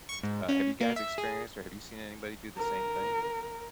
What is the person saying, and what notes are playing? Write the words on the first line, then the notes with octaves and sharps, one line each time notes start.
Uh, have you guys experienced or have you seen anybody do the same thing?
C#6
G#2
C#4
A#3
E5
G#4
A#4